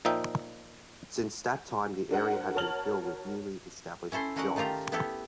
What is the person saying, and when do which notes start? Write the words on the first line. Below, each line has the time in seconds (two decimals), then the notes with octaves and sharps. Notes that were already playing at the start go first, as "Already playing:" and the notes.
Since that time the area had been filled with newly established jobs.
0.05 A#2 F3 D#4 E5 G5
2.11 D4 F#4 A#4 C5 F#5
2.54 F#4 A#4 C#5 A5 F6 F#7
4.12 C#4 E4 A4 C5
4.36 D3 C#4 F#4 A#4 D#5 F#5
4.56 D#3 A3 F4 G4 A#5
4.92 B3 E4 G4 A4